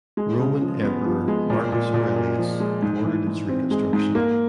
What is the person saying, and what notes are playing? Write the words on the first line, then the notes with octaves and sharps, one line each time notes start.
Roman Emperor Marcus Aurelius ordered its reconstruction.
G#3
C#3
F3
B3
F3
G#3
A#2
A#2
A#2
A#2
F3
G#3
G#2
E3
G#2
C4
G#3
G#2
A#3